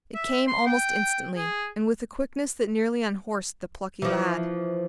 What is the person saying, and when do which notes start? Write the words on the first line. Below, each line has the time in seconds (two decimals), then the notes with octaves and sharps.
It came almost instantly, and with a quickness that nearly unhorsed the plucky lad.
0.15 E5
0.48 C6
0.67 G5
1.37 G#4
4.02 E3 F3